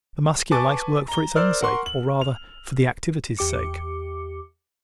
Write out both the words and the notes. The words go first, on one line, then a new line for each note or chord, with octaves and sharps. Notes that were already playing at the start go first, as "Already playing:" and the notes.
But the Muscular likes work for its own sake--or rather for the activity's sake.
B4 G#5 A5 C#6 D6 A6
A#5 G7
A#4 C5 D5 E6 F6
A#4 F#5 C6 C#6
F#7
F7
E2 G4 D6 C#7